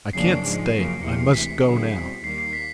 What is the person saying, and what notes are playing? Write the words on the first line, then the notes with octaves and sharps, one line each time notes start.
"I can't stay, I must go now...."
F2 C#3 F#3 A#3 D4 C7
G#2 F3 G#3
F#2 C#3 F3 A#3
E2 C3 F3 C#7
C7
D2 C3 E3 G#3 B6
D3 F#3 B3 E4 G#4
B2 G3 C4
D#2 D#3 G3 A#3 C7
C7
B6